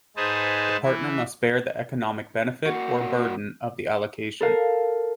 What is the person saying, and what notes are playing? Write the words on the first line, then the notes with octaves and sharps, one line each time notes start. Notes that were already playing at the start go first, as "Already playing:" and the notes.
The partner must bear the economic benefit, or burden, of the allocation.
G#2 D#4 G#4 B4 C5 A5
E3 E4
A#3 F#4
A4 A#4 F5